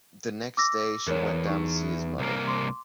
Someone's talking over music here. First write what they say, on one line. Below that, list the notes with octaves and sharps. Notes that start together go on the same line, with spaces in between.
The next day she went down to see his mother.
D6 E6 A#6
E2 A#4 C#5
D#4 C#6
C2 A#3
C6 D6